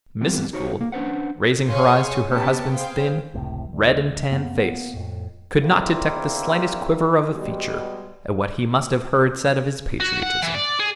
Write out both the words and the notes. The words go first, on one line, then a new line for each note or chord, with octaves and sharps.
Mrs. Gould, raising her eyes to her husband's thin, red and tan face, could not detect the slightest quiver of a feature at what he must have heard said of his patriotism.
E3 G3 B3 C4
D#4 F#4 C5 C#5
A#3
C#4 D4 B4 C5 F#5
G#4 C#5 F5 G#5 C6 C#6
B3 C#4 G4 A5 A#5
G#4 C5 F5 G5
F1 C#2 A2 C3
D2
F#2 A#3 B3
A#3 B3
F2 A2
E2 A#3 C4 D4 E4 F4
B2 G3 G#3
F#4
F#5
E3
D5
G#4